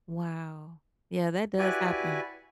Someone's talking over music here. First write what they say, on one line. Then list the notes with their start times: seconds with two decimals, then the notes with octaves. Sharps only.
Wow. Yeah, that does happen.
1.58 E4 F#4 G4 B4 D5 G#5